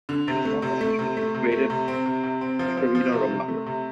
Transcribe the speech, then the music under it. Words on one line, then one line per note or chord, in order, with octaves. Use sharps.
It is often eaten with grated Pecorino romano.
D3
C3
A3
C3
A3
C3
A3
C3
A3
C3
C4
C3
C3
C4
F3
F3
F3
C3
C3
A3
C3